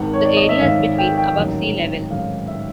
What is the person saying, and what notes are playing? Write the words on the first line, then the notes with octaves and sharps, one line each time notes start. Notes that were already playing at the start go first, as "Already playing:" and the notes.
The area is between above sea level.
Already playing: G#1 G#2 D#3 F#5
C#5
D5
D#5
E5
G#1 G#2 D#3 F5
G5
G5
A1 G#2 D#3 F#3 F#5
A1 G#2 D#3 F#3 F5
E5